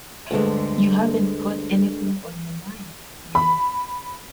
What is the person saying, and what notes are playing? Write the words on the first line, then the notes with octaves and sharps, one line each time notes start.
You haven't got anything on your mind, you know.
D2 G2 D3 G#3
B5